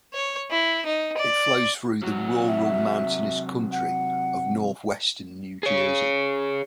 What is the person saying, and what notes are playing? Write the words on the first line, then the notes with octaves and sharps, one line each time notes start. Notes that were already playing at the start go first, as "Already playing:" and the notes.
It flows through the rural mountainous country of northwestern New Jersey.
C#5
E4
D#4
D5
C3 F#3 F#4
E5
F#5
G#4 C#5